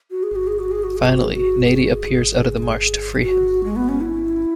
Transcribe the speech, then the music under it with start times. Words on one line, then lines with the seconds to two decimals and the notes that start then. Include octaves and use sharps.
Finally, Nady appears out of the marsh to free him.
0.11 F#4
0.23 G#4
0.36 F#4
0.47 G#4
0.59 F#4
0.71 G#4
0.84 F#4
0.96 G#4
1.08 F#4
1.20 G#4
1.32 F#4
1.66 G#4
3.23 F#4
3.64 G#3
3.76 B3
3.89 C#4
4.01 E4